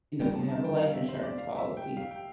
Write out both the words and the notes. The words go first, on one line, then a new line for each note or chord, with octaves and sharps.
you know, you have a life insurance policy,
D3 G3 C4 G5
A5
A5
G5
F5
E5
C5
D5
F5
E5
G5
F5
G5